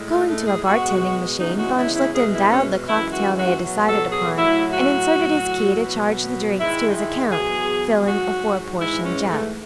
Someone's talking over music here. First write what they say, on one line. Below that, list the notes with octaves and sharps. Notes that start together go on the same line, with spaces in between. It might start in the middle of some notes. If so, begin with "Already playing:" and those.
Going to a bartending machine, von Schlichten dialed the cocktail they had decided upon and inserted his key to charge the drinks to his account, filling a four-portion jug.
Already playing: A2 G#3
A3
A3
G#4
B2 G#3 F#4
E2 C#3 E3 G#3 D#4
F#4
E4
E4
B2 G#3 G#4
E4
C#4
F#2 E3 G#3 E4
F#4
F#4
B2 F#3
A4
G#4
A2 F#3 E4
F#4
A2 F#3
B2 F#3
G#2 D#3 G#3 E4
D#4
E4
E2 B2 F#3 G#4
G#2 F#3 F#4
G#2 E3 G#3 E4
C#4
A3